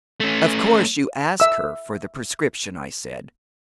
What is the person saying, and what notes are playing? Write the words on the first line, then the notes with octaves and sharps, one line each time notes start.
"Of course you asked her for the prescription?" I said.
A3 C#4
E5 E6